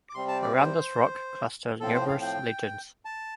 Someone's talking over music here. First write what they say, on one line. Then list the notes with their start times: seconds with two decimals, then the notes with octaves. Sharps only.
Around this rock cluster numerous legends.
0.09 D6
0.15 C3 G3 C4 C6
0.28 A5
0.43 D5
0.56 C5
1.80 A2 F3 C4 A4
1.95 C5
2.08 F5
2.22 G5
3.05 A5